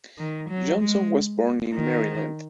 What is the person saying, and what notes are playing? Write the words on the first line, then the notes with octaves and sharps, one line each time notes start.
Johnson was born in Maryland.
D#3
F#3
G#3
D#3